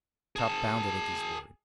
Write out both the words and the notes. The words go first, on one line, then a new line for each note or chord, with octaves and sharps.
Top bounded at these words.
G#4 A5